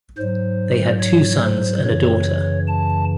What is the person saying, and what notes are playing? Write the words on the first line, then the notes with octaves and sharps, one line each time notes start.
They had two sons and a daughter.
G#2 F#3 C5
C#5
C5
F#2 C#3 E3 C#5
A5